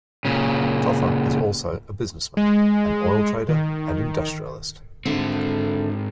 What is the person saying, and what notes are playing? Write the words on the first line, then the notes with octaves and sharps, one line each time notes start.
Tofa is also a businessman, an oil trader and industrialist.
A#2 C#3
G#3
D#3
G#2 D3 C4 A4 E5